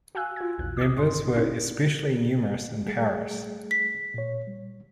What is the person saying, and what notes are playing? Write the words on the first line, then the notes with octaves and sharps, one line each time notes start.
Members were especially numerous in Paris.
F#4 F5 G#5 E6 F#6
F4 G#6
A#1 E2 F#6
D6 D#6
G#1 G2 C#3 C6
C#4 D#4 E4
G3 A3 G#4
B6
A#2 C#5
G3